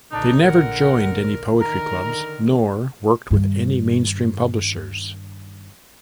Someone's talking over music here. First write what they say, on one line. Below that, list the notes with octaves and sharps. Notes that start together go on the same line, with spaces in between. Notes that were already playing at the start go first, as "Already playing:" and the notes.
She never joined any poetry clubs nor worked with any mainstream publishers.
A#1 D3 D4 D#4
A#4 F#5
D3 D#3 A#4 A#5
G2 D#3